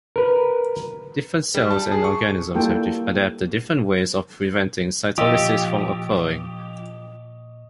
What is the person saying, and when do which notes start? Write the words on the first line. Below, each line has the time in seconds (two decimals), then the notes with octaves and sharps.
Different cells and organisms have adapted different ways of preventing cytolysis from occurring.
0.16 A#4 B4
1.55 G3
1.71 A5
1.92 G#4
2.04 C#6
2.54 G3 A#3 E4 F4 A4 G5
5.18 F3 G4 D#5 C#6 E6
5.34 A#2